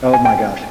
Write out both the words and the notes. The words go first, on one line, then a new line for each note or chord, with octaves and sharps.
Oh, my gosh.
G#5
G5